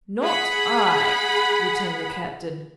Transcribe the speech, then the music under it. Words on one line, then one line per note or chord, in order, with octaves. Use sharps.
"Not I," returned the captain.
G#4 F#5 B5